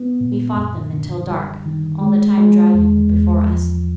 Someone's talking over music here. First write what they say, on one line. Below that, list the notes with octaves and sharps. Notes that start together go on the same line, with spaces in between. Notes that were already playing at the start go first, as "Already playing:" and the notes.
We fought them until dark, all the time driving them before us.
Already playing: B3
A#2
F#2
D3
G3
D#3
G#3
G#3
E2
E2
F3